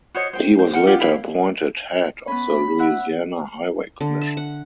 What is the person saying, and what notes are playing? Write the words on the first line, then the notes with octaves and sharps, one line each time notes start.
He was later appointed head of the Louisiana Highway Commission.
F#4 C5 C#5 D#5
C5 G5
C5
A#4 F#5 G5
F4 G4 F#5
E4 E5 F5 G5
B3 C#4 B5
E5 F#5
D3
E5
F#5